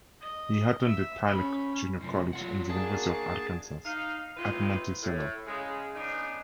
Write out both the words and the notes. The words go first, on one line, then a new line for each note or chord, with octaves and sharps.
He attended Tyler Junior College and the University of Arkansas at Monticello.
D#5
E5
C#4 B5
F#2 C3 F3
F#3 F4 F#5
A#3 D4 F#4 G#4 A5
D#4 F5
A2 C3 D#4 F4 B4
A2
C#3 G#3
C#3 B3 D4 D#4